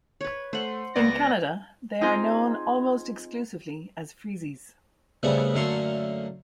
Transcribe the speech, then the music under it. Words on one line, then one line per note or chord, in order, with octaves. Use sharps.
In Canada they are known almost exclusively as 'freezies'.
B4 C#5
A3 C5 F#5
C#2 B3 D5 A#6
C4 D#4 F4 G#4 C5
C#3 G3 A3 B3 C4 D4
F#2 D3 A3 A#3 C6 C#6